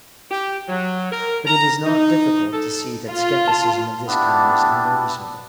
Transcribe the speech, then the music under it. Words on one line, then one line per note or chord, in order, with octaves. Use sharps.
But it is not difficult to see that scepticism of this kind is unreasonable.
G4
F#3
A#4
A#5
D#4
A4
F4
A5
B3 D4 E4 G4 B4 A5